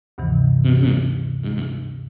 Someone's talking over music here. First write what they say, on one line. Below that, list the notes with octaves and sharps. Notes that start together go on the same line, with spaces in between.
Mhm. Mhm.
D2 G2 C3 D#3 E3